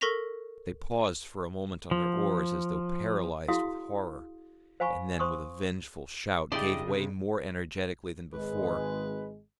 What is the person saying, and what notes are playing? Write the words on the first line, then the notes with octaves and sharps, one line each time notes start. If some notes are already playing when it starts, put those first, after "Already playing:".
They paused for a moment on their oars as though paralysed with horror; and then with a vengeful shout gave way more energetically than before.
A4 A#4 C#6 A#6 B6 F7
F3
E4 F#4 G#4 F5 C6 D#6
C5 F5 G#5 B5 C#6
C5 C6 C#6 D#6
C#3 D4 E4 G4 D5 D#5 C6
C3
G#1 G#3 B4